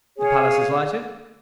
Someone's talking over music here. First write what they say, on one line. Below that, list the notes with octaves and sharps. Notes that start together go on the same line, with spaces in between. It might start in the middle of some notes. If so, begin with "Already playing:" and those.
The palace is lighted.
G#4 C#5 F5